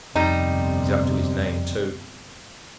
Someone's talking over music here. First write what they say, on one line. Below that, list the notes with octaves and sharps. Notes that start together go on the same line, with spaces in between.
He's up to his name too.
G1 F2 C3 G3 D#4